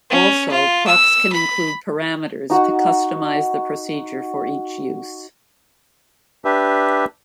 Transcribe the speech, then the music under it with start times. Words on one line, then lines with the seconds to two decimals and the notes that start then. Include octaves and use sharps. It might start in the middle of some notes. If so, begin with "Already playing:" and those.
Also, procs can include "parameters" to customize the procedure for each use.
0.10 C#4
0.50 F4
0.87 E6
1.32 B5
2.50 D#4 F#4 F#5
6.45 D4 G4 B4 E5